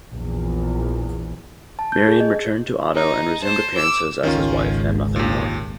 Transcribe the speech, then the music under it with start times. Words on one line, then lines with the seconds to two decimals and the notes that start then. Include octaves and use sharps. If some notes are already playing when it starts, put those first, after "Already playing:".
Marion returned to Otto and resumed appearances as his wife, and nothing more.
0.12 A#1 E2
1.79 A5
1.92 G6
2.08 G#4
2.20 D#5
2.95 D#4
3.40 C5 A5
3.75 D6 E6
4.23 G#1 C#2 D#3 C#4 F4
5.16 D#2 A#2